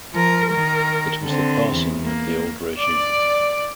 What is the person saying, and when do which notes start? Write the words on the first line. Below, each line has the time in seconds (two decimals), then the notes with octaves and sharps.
It was the passing of the old regime.
0.13 F3 A#4
0.50 D#3 A#4
1.23 D3 C4
1.71 E2
2.03 A#3
2.78 D5